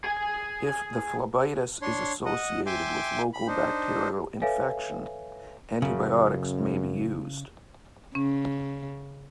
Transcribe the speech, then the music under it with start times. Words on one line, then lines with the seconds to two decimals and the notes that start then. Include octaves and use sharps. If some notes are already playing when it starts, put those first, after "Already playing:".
If the phlebitis is associated with local bacterial infection, antibiotics may be used.
0.04 G#4 G#5
1.82 D4 C#5 C6
2.26 D#5 F#5
2.66 E5 G5 G#5 C6 D6
3.33 B5
3.47 D4 D#4 C5
4.42 A4 B4 C#5 E5 F5 G#5
5.82 F#2 C#3
8.15 C#3 C#4